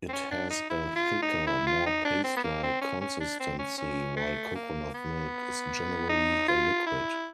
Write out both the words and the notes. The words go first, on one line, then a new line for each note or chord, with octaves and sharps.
It has a thicker, more paste-like consistency, while coconut milk is generally a liquid.
C4
C#4
D4
D#4
E4
F4
D#4
E4
F4
D#4
D4
C4
B3
A#3
C4
C#4
C#4
D4
C4
C#4
C#4
A3
A#3
B3
D#4
F4
E4